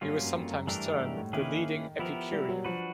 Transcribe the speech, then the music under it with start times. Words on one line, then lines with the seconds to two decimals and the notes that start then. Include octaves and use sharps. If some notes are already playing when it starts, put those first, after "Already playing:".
He was sometimes termed the leading Epicurean.
0.01 G2 F#3 A#3 C#4 F4
0.23 F#2
0.34 F2
0.51 F#2
0.67 G2 E3 A3 D4 G4 A#4
1.00 G#2
1.17 A2
1.33 D#3 A#3 C#4 E4 G#4 B4
1.99 F3 B3 E4 G4 A#4
2.32 G3
2.49 F#3
2.65 F3 D4 F#4 B4